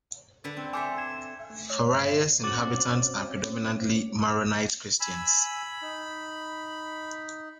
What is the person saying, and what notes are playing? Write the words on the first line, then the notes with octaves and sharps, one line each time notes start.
Faraya's inhabitants are predominantly Maronite Christians.
D3 B4 D5
C4
A4 C5 E5 G#5 D6
G#6 E7
A3
C#5
G2
C7
C4 C#4 F#4 F#5 D6 A6
G#5 B5 E6
D#4